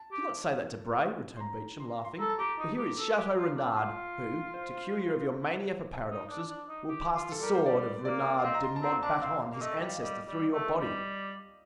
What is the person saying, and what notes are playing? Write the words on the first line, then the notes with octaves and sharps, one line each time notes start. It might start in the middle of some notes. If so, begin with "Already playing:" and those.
"Do not say that, Debray," returned Beauchamp, laughing, "for here is Chateau-Renaud, who, to cure you of your mania for paradoxes, will pass the sword of Renaud de Montauban, his ancestor, through your body."
Already playing: A5
G4
C6
A#5
C6
C6
A4 A#5
A5
G4 A#5
D#4
G4
A4
G4
F4
D4
F4
C5
D#4
D4
D4
D#4
G4
F4
A4
G3 A#4
C5
G3 D5
A#3 D5
F5
C4 D#5
A#5
C6
A5
C4 A#5
D4 A5
C4 F5
A#3
A3 D#5
G3 G5
F5
G3 D#5
G3
D5
A3
D5
G3 D#5